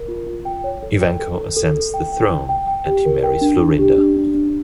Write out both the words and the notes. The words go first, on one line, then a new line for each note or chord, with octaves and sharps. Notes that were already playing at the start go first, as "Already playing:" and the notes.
Evanco ascends the throne, and he marries Florinda.
Already playing: A#4
F4
F4
G5
C#5
A4
G5
A4
A4
A4
A4
G5
G5
G5
G5
G5
G4
A#4
G5
D4
D4
G4
D4
D4
D4